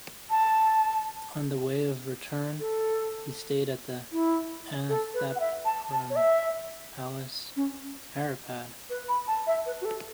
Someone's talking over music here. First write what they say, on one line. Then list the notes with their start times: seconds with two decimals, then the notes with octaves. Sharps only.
On the way of return, he stayed at Ananthapuram Palace, Haripad.
0.30 A5
2.60 A4
4.13 E4
4.89 A4
5.14 B4
5.36 F#5
5.40 E5
5.65 A5
5.90 A5
6.10 C#5
6.16 E5
7.56 C#4
8.90 B4
9.09 B5
9.28 A5
9.47 E5
9.66 B4
9.81 F#4
9.85 A4